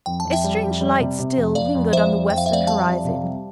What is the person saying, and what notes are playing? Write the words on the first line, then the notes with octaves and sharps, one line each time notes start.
A strange light still lingered on the western horizon.
F2 G5
A5
F2
E5 G5
G3
F2
G3
C3
C3
F2
F2 D5 F5
F2
F2 C5 E5
F2
F2 G5
F5
E5
F2 D5 F5
G3 F5 A5
F2
C3
G3